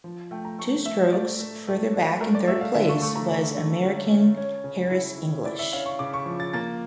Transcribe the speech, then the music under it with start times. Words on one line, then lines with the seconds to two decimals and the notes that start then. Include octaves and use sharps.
Two strokes further back in third place was American Harris English.
0.04 F3
0.31 A3 G5
0.45 A#5
0.59 A3 C#6
0.85 A3 E5
1.12 A3 D5
1.39 A3
1.67 A3
1.94 D4
2.20 A3 A#4
2.35 D5
2.48 A3 E5
2.61 F5
2.74 D3 E5
2.89 C#6
3.02 A3 C#6
3.15 A#5
3.29 D3
3.56 D3
3.83 C#4
4.11 C#4
4.37 C#4 C#5
4.64 C#3
4.91 E4
5.18 E4
5.45 E4 D5
5.59 E5
5.72 C#4 F5
5.86 C#6
5.99 C#3 D6
6.14 C#6
6.26 F3
6.40 A6
6.53 A#3 A6